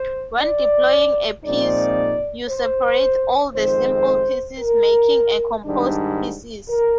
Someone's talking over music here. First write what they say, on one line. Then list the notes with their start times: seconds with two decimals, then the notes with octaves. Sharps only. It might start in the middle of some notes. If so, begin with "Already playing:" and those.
When deploying a piece, you separate all the simple pieces making a composed pieces.
Already playing: C5
0.40 D5
1.44 A#2 F3 G#3 C4 D#4 D5
2.49 C5
3.54 F2 D#3 G#3 C4 C5
4.59 A#4
5.63 G#2 D#3 G3 D4
6.68 A#4